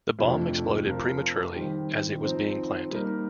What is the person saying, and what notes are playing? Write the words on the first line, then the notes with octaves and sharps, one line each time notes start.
The bomb exploded prematurely as it was being planted.
F2 C3 F3 A3 D4
F3 C4 F4 A#4
D#3 G3 C4 G4
F3 C4 D#4
G3 A#3 D#4 A#4